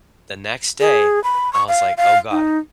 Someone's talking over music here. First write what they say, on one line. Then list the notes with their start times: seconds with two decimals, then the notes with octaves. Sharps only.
the next day, I was like, "Oh god.
0.80 G#4
1.24 B5
1.53 C#6
1.68 F5
1.97 F5
2.31 D#4